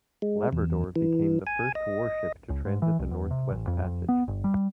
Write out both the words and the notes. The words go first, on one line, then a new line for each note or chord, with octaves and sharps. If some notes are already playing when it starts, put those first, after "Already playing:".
"Labrador" became the first warship to transit the Northwest Passage.
G#3
E2
E3
G#5
D#5
C#2
G#2
E3
C2
E2
C3
A1
F2
F2
B3
G1
G3